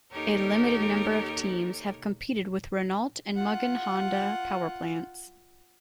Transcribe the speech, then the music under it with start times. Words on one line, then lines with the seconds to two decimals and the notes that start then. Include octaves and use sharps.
A limited number of teams have competed with Renault and Mugen-Honda powerplants.
0.12 D#2 D#4 G4 A4 A#4 C#5
3.36 F4 F#5